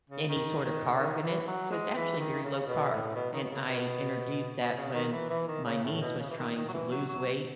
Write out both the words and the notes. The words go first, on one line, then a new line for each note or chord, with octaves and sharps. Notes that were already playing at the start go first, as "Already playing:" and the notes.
any sorta carb in it, so it's actually very low-carb, and I introduced that when my niece was trying to lose weight,
C#3
D#3
D#3
C#3
D#3
E3
F#3
G#3
E3
D#3
C#3
B2
A2
B2
D#3
B2
C#3
B2
B2
C#3
D#3
E3
E3
D#3
C#3
A2
B2
C#3
E3
D#3
D#3
F#3
E3
F#3
F#3